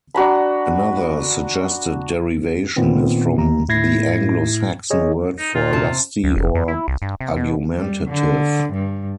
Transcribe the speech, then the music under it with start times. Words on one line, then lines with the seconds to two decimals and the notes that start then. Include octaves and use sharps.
Another suggested derivation is from the Anglo-Saxon word for "lusty" or "argumentative".
0.15 D4 F#4 A#5 B5
2.76 A#2 D#3 B3 C4
3.37 D#2 A#5
3.69 A2 E4 G#6 A#6 C7
4.90 G#4 C#5 D#5
5.38 D#4
5.55 A#2 F4
5.73 C3 A5
6.24 D2
6.36 F1
6.55 F2
6.68 E4
6.88 C2
7.02 G2
7.21 C3
7.37 B2
7.78 G3
8.08 D3
8.73 G2